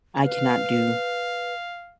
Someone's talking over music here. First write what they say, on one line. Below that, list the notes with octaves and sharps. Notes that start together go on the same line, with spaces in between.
I cannot do
B4 F5